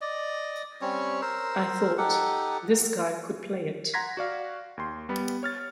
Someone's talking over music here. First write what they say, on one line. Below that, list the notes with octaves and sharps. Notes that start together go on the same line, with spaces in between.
I thought, This guy could play it.
D5 D#5
G3 C4 C#4 C#5
A#4 C5 E6
D#4 G4 A4 F#5
F#5 A#5 C6 G#6 A#6 B6
F#4 D5 F5
D#2 C6
G3 B3 B5
C#5 F6 A6